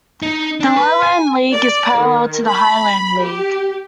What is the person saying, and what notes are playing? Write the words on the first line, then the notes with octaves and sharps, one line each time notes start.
The Lowland League is parallel to the Highland League.
D#4
D4
B4
G#5
D5
D#3
B5
G4